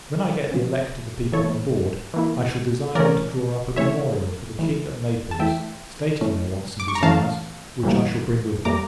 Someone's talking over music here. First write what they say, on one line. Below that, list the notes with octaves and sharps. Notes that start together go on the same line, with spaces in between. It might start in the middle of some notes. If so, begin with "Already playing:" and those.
When I get the elect of the people on board, I shall desire them to draw up a memorial for the King of Naples, stating their wants and desires, which I shall bring with me.
D3 F3 C#4
E3 A#3 E4 A4 C#5
E3 A#3 E4
E3 A3 C#4 A#4 D5
E3 A3 C#4 C#5 E5
E3 A3 E4
A5
E3 A3 E4 E5 G5
E3 A3 C#4
D6
C#6
A#5
E3 A3 C#4 F5 A5
A2 E3 G3 A#3
A2 E3 G3 A#3 A#5 D6